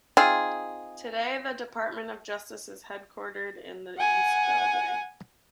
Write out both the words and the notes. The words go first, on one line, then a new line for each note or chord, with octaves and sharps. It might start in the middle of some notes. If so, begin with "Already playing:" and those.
Today the Department of Justice is headquartered in the East Building.
C4 D#4 F4 G#4
F#5 G#5